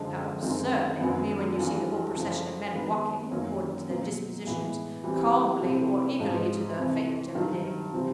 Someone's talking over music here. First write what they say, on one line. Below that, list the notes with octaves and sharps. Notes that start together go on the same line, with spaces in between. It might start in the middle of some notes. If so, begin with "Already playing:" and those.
"How absurd, Naomi, when you see the whole procession of men walking,--according to their dispositions--calmly or eagerly to their fate every day."
Already playing: F#2 D3 F3 G#3
F#2 D#3 G#3 C4
F#2 D#3 F#3 B3
G2 E3 A3 D4 F#4
F#2 C#3 F3 A3
D#3 G#3 B3
F#2 D#3 F#3 A#3 C#4
B2 F#3 A#3
A2 E3 G#3 B3
E3 G3 C4
C3 F3 A3 C4 E4
G#2 F3 G#3
F2 C3 E3
G2 D#3 F#3
C3 E3 G3 C4